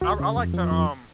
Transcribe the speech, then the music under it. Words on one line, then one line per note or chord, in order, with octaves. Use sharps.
I I like to, um
D2 F#4
C#3
F2
F3
F2